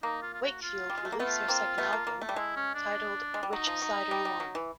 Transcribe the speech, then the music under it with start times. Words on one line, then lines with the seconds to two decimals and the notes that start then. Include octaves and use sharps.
Wakefield released their second album, titled Which Side Are You On?
0.03 A#3 D#4
0.22 F4
0.34 F4
0.42 F#4
0.62 F4
0.90 G3
0.97 G#3
1.05 A3
1.12 A#3
1.20 A3 B3 F4
1.48 A#3 C4
1.78 A3 B3
1.93 A#3
2.07 A#3
2.21 A3
2.29 G3
2.36 G#3 E4
2.56 C#4
2.75 D4
3.34 G#3
3.43 G3
3.53 F#3 D#4
3.67 F3
3.82 F#3
4.11 G3
4.25 G3
4.40 F#3
4.55 E3